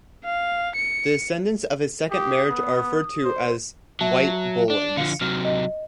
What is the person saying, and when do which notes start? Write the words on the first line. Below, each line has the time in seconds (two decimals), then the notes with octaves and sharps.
The descendants of his second marriage are referred to as "White Bollings".
0.25 F5
0.76 C#7
2.11 G4 D#6
2.50 B3
3.24 C5
4.01 F#3 E5 A5
4.70 D4
4.97 D3 F3 F5 C#7
5.21 C3 F#3 F6
5.45 D#5